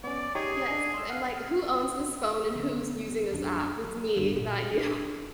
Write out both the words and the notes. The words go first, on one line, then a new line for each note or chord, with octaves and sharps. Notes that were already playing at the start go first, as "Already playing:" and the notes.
Yeah, it's I'm like, "Who owns this phone and who's using this app? It's me, not you."
B3 C#4 D5
D#4 G4 G#4 C#5
D4 D#5 G#5
C6 E6
F5 F#5
D3 B3
F#2 D4
E3
G1 G2
A#2
D4